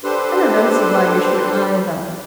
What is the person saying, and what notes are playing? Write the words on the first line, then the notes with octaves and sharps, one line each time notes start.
And I don't see why you should, either.
D4 G4 A4 B4 C5 C6